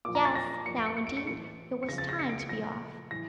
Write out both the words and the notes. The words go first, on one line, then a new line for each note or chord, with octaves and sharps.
Yes, now indeed, it was time to be off.
A#2 F3 D6
A#5
A6
A#6
A#2 F3 C#7
D7
C#7
C#7
D7
C#7
A2 E3 C#7
C#7
C#3 F3 A#6
A6
A#6
C#7
D7
C#7
A#2 F3 A#6
A2 E3 A#6